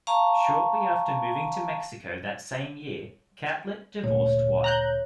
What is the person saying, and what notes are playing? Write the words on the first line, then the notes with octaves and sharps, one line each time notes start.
Shortly after moving to Mexico that same year, Catlett divorced White.
F5 A5 A#5 C#6
D2 A#2 A3 C#5
A#5 F#6 G6